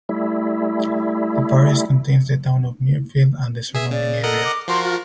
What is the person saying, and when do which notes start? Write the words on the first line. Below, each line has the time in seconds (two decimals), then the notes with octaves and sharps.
The parish contains the town of Mirfield and the surrounding area.
0.09 G3 A3 E4
3.75 G#4 E5
3.91 C#3 D5
4.23 A4 A#4 D#5 F#5
4.44 D6
4.68 F3 F#4 A#4 C6
4.84 F4